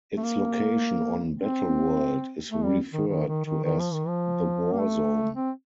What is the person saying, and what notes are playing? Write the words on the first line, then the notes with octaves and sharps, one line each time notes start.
Its location on Battleworld is referred to as the Warzone.
A3
A#3
C4
A3
G3
D#3
D#3
D#3
D#3
D#3
F3
D#3
F3
A#3
A3
C4